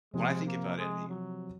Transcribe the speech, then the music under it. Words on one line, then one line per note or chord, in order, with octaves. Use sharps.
when I think about it, uh y you
C3 F3 G#3 C4
A#3
G#3
F#3